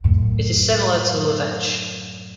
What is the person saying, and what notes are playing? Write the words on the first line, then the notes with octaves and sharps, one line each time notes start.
It is similar to the Leveche.
F#2 A2